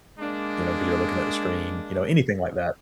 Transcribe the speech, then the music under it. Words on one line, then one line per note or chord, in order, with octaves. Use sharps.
you know, 'cause you're looking at the screen, you know, anything like that.
G#3 A#3 D4